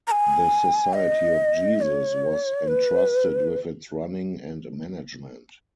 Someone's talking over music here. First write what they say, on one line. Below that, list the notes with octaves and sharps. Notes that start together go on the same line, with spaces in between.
The Society of Jesus was entrusted with its running and management.
A#5
G#5
D#5
C#5
B4